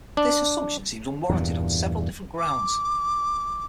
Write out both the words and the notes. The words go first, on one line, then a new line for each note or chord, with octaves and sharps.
This assumption seems unwarranted on several different grounds.
D4
E2 G2 A#2
D6